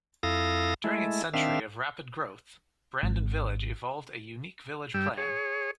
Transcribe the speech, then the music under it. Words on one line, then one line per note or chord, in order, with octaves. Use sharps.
During its century of rapid growth, Brandon Village evolved a unique village plan.
F2 E4 A4 F5 D#6 A#6
G#3 A3 E4
D#3 C4 D4 E5 F5
G#1
G2 G3 G5 E6
G#4 C#5